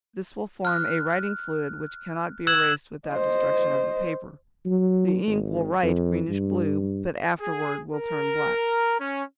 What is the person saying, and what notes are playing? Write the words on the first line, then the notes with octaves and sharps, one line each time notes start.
This will form a writing fluid which cannot be erased without destruction of the paper. The ink will write greenish blue, but afterward will turn black.
F6 F#6
E6 F#6 G#6 E7 F#7
C5 D#5
F#3
G#1
F2
G2
G#4
A#4
C#4